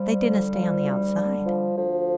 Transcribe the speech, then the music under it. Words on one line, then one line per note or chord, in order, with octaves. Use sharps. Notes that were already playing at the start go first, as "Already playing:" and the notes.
They dinna stay on the outside.
Already playing: F3 G3
D3
F3
D2
D3
F3
D2 F3